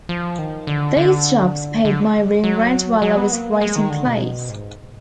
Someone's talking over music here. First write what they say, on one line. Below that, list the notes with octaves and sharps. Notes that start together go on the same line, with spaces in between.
These jobs paid my room rent while I was writing plays.
F3
D#3
D3
D3
D3
F#3
F#3
B3
A#3
G#3
D#3
D3
B2
G#2